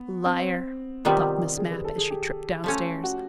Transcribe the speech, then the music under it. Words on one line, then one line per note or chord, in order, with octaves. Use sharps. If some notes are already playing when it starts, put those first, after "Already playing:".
"Liar," thought Miss Mapp, as she tripped downstairs.
Already playing: B3
C4
C3 D#3 G3 B3 F4
G4
G#4
B4
A4
G#4
G4
F3 A3 C#4
F#4